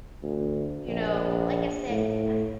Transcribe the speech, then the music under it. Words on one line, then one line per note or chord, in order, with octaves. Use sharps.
you know, like I said, uh,
D2
A#1
A2